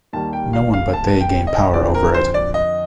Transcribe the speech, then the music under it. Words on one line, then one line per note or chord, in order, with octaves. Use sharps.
No one but they gained power over it.
D#2 D#3 G3 A#3 A5
G5
F5
F5
A5
G5
D#5
F2 D3 F3 C4 D5
A#4
C5
D5
D#5